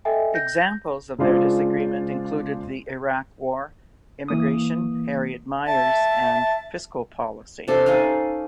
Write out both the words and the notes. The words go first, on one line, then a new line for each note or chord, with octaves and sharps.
Examples of their disagreement included the Iraq War, immigration, Harriet Miers and fiscal policy.
A4 D#5 E5 G5 G#5
G6 A#6
C#3 G#3 D4 F4 C5
E3 A#3 D#6
E5 A5
C3 D4 A4
C#4 D#4 D5 F5